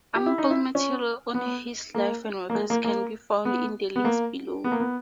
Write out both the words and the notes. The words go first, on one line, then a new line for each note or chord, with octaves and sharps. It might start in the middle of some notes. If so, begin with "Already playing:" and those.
Ample material on his life and works can be found in the links below.
G4
E4
D#4
E4
C#4
B3
A#3
A#3
G#3
A#3
A#3
B3
B3
A#3
B3
A#3
B3